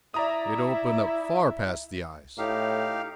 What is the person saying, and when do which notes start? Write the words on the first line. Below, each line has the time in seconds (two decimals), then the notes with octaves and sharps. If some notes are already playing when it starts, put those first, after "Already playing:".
It opened up far past the eyes!
0.14 E4 D5 E5 A#5 D#6
2.38 A2 D#4 G4 F5